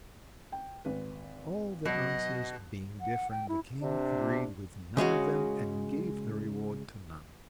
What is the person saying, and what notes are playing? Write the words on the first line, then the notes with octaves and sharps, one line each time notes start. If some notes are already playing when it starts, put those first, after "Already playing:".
All the answers being different, the King agreed with none of them, and gave the reward to none.
G5
G#1 B4
B2 F#3 D#5
F#5
G5
E4
C3 D4
C#3 G#3 C#4 F#4